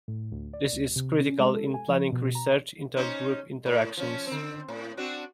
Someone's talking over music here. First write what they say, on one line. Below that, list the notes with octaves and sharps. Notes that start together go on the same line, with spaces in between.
This is critical in planning research into group interactions.
A2
D2
D5
D2
C3
C#4
G#3
A4
G#5
F3
B2
A#5
C#4 D#4 C5
A2
F3 C#4
D3 C4
A2
C4 D4 F#4